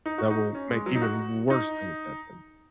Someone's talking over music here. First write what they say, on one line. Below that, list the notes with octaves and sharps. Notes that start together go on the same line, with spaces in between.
that will make even worse things happen
D#4
F#4
D#4
C#4
G#3
F#3
D#4
F#4
D#4